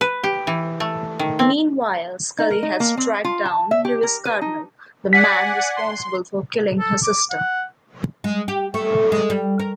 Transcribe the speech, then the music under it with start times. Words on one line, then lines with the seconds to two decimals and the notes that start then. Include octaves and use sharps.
Meanwhile, Scully has tracked down Luis Cardinal, the man responsible for killing her sister.
0.01 B4
0.24 G4
0.47 E3
0.80 A3
1.19 D#3
1.39 C4
2.39 D#4
2.50 A#4
2.63 D#4
2.80 A#3
2.97 C4
3.24 F4
3.45 A5
3.71 E5
3.85 G4
4.03 A#4
4.25 B4
4.42 D#4
5.13 D5 F#5 G#5 B6
5.76 C6
6.79 A4
7.03 D6
7.31 F#5
8.24 G#3
8.48 G4
8.74 A3
9.12 G#3
9.30 G3
9.59 A#4